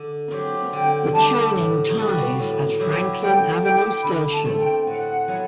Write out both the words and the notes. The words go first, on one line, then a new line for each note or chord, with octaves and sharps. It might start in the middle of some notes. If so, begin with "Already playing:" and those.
The chaining "ties" at Franklin Avenue station.
Already playing: D3
F#3 C4 G4
D3 G5
G3 B3 D4 G4 A5
A2
G3 B3 F#4
A2
F#3 B3 E4 G4
A3 G5
E4 G4 G5
D3 B5
A5
A3 C4
G5
A2 F#5
F#3 B3 E4 A4